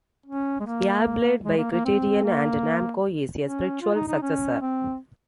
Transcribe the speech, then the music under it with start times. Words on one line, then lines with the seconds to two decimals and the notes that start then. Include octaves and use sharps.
Airblade by Criterion and Namco is a spiritual successor.
0.26 C#4
0.60 G#3
0.66 A#3
1.44 G#3
1.58 A#3
1.71 A#3
1.85 C4
2.24 A#3
3.42 C#4
3.81 F4
3.95 D#4
4.08 D#4
4.22 C#4
4.62 C4